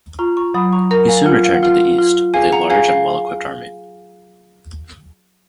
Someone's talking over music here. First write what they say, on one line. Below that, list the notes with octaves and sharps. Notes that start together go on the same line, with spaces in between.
He soon returned to the east with a large and well-equipped army.
F4 A#5 C#6
A#5 C#6
F#3 B5 D#6
A#5 C#6
A#4 F#5 A#5
F5 G#5
F4 F#5
F5
F#5
F4 F5
F4
G#4 F5 G#5
F#5 A#5
G#4 F5 G#5
F5